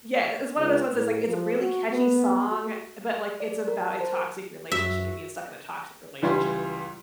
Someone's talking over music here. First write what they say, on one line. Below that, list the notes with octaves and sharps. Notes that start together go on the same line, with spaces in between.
yeah, it's one of those ones that's, like, it's a really catchy song, but, like, it's about a toxic relationship and being stuck in a toxic relationship.
C#2
A2
F3
F#4
B3
F#4
D5
A#4
A5
C5
F#2 F#4 E5
C#2 E3 G3 F4 C6